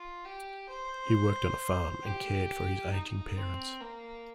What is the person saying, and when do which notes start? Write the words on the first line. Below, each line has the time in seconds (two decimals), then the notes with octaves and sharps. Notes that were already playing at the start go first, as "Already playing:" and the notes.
He worked on a farm and cared for his aging parents.
Already playing: F4
0.25 G4
0.69 C5
2.03 G4
2.92 D#4
3.36 C4
3.81 A#3